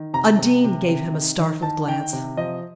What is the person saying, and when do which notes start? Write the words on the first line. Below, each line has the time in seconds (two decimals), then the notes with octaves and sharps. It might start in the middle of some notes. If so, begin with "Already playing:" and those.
Undine gave him a startled glance.
Already playing: D#3
0.14 C3 A#5
0.39 C3
0.64 C3
0.88 C3
1.14 D#3
1.38 D#3
1.62 D#3 A5
1.87 D#3 G5
2.13 C3
2.37 F3 D#5